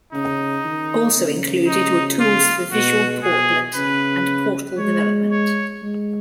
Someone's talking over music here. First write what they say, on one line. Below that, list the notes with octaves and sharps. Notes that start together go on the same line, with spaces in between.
Also included were tools for visual portlet and portal development.
C#3 D#4
D#3
C#3
D#4
F4
B2 F#4
B2 G#4
C#3 B4
G#3 C#5
C#5
G#3